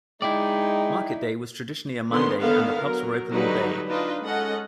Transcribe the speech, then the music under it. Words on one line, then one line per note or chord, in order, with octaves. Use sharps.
Market day was traditionally a Monday and the pubs were open all day.
G#3 D#4 E4 D5 G5
D3 D#3 B3 C#4 C6
D3 D#3 B3 A4 F5
F#3 A#4
D3 F#3 G3 D#4 B4
D4 D#4 F4 B4 D#5
G#3 C#4 A4 D#5 F#5